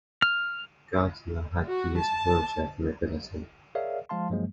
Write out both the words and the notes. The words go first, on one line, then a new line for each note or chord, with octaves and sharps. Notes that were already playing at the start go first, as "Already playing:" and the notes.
Gardiner had to use a wheelchair for mobility.
F6
F#4
A5
G#4 A#4 C#5 D5 E5 F5
F3 G#3 F5 A5 C6
G2 F3 F#3 G#3 A#3